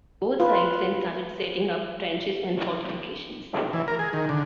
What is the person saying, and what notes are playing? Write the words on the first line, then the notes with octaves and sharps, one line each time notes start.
Both sides then started setting up trenches and fortifications.
F4 B4
E3
A#4
G#4
D#3
D3